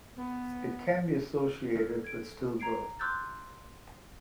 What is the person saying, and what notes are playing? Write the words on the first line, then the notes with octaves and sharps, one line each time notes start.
It can be associated with stillbirth.
B3
A4 A#4
G#6 D7
A#5 G#6 C7 D7
C6 D6 E6 F#6 G6 A6